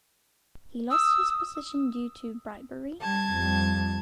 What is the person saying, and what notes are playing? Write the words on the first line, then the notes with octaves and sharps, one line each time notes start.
He lost his position due to bribery.
D#6 E6
G3 A5 G#6
F2 G3